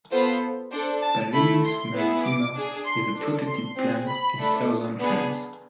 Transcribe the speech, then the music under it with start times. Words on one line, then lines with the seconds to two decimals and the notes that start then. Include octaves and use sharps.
"Pallenis maritima" is a protected plant in southern France.
0.11 B3 F4 A4 C5
0.72 D4 A4 C5
1.02 A5
1.32 A3 E4 A4 B5
1.63 C6
1.94 B3 E4 G#4
2.24 D6
2.55 D4 G#4
2.85 C6
3.16 D4 A4
3.46 C6
3.76 C4 G#4
4.08 B5
4.37 A3 D4 A4
4.99 B3 D4 G#4